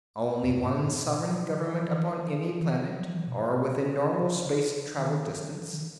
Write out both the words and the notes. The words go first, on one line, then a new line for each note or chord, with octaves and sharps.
Only one sovereign government upon any planet, or within normal-space travel distance....
E2
F#2
G#2
A2
B2
D#3
E3
E3
D#3
E3
F#3
E3
B2
C#3
D#3
D#3